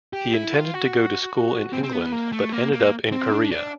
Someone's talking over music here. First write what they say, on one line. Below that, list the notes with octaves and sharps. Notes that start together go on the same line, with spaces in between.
He intended to go to school in England but ended up in Korea.
G4
E4
F4
F#4
C4
C4
B3
A#3
A3
A#3
A#3
C4
D4
D4